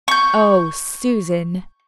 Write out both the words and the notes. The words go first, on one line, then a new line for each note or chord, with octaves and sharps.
"Oh, SUSAN!"
C#6 G6